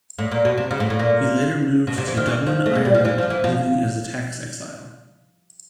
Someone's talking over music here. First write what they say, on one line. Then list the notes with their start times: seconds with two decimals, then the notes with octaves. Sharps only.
He later moved to Dublin, Ireland, living as a tax exile.
0.19 A2
0.32 A#2
0.45 B2
0.57 C3
0.71 C#3
0.80 A2
0.90 A2
0.99 A#2
1.87 B2
1.98 C3
2.07 E3
2.17 D#3
2.27 E3
2.46 F3
2.66 A3
2.75 G#3
2.85 G3
2.95 F3
3.05 E3
3.18 F3
3.30 E3
3.44 F3